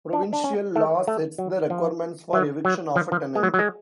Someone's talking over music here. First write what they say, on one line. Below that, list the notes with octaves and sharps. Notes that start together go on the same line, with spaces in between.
Provincial law sets the requirements for eviction of a tenant.
D4
D4
C#4
A3
A3
F#3
F3
F#3
F#3
F3
F3
G#3
F#3
F#3
G#3